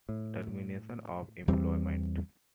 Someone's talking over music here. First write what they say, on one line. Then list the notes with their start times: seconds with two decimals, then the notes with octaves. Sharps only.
Termination of employment.
0.09 A2
1.48 E2 G3 C4